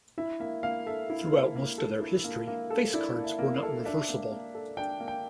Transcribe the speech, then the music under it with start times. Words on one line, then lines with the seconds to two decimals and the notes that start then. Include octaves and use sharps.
Throughout most of their history, face cards were not reversible.
0.18 E4 E5
0.40 A#3 E5
0.63 A#3 F5
0.86 A4 E5
1.10 E4
1.32 A#3
1.56 A#3
1.78 A4
2.01 E4
2.24 A#3
2.47 A#3
2.70 A4
2.93 E4 D5
3.16 A#3
3.24 E5
3.39 A#3
3.54 F5
3.63 A4
3.85 D4 E5
4.09 A#3
4.32 A#3
4.55 A4
4.77 D4 G5
5.00 A#3
5.08 G5